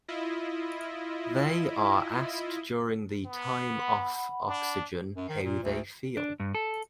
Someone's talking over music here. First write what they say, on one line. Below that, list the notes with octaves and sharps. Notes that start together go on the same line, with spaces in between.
They are asked during the time off oxygen how they feel.
E4 F4 D#5
B3
F#5 B5
D4
F#2
D#3
A#2
D2
D4
G2
A4